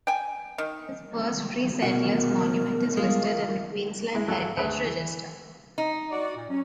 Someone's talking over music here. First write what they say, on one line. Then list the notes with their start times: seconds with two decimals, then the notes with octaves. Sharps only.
This First Free Settlers Monument is listed in the Queensland Heritage Register.
0.07 G5 G#5
0.58 D#3
1.83 B2 F#4 A#4
2.97 G#3 F4
4.15 G#3 E4
4.28 G#1 F#3 A4
4.57 D2 G#4 B4 E5
4.85 E3
5.78 D#4
6.11 F#4 D5
6.35 A#2
6.50 F#3 C#4